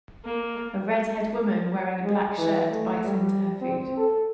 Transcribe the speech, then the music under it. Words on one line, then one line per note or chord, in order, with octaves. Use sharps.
A redhead woman wearing a black shirt bites into her food.
A#3
G#3
E3
A3
G3
C4
A4